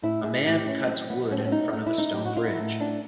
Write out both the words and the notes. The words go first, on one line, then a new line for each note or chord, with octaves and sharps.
A man cuts wood in front of a stone bridge.
A2 E4
G#4
A2 G4
C#4
F#3 C4
B3
A2 C#4
C4
C#4
D#4
A3 D#4
E4
D#4
A2 G4
F#4
F4
E4
A2 D#4
D4